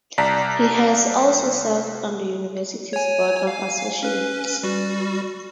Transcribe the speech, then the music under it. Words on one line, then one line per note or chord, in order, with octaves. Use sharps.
He has also served on the university's Board of Associates.
C2 D5 A5 A#5 B6
C#5 G#5
F5 G#5
C#4 B4
G3 F#4